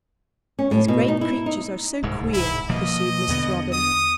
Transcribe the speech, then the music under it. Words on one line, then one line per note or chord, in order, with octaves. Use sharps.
"These great creatures are so queer!" pursued Mrs. Robin.
C#4
A2
B2
D#4
E4
D#4
D1 C2 G#2
E4
B2 F3 A#3 D#5
E2 D3 B3
D#6